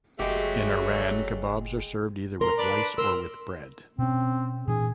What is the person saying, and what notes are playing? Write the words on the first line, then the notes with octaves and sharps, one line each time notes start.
In Iran, kebabs are served either with rice or with bread.
F#1 F#3 G#3 A3 G4 G#4
A#4 A#5 C6
D4 B4 D5
A#4 C6 E6
B2 C4 C#4
A#2 E3 D4 G#4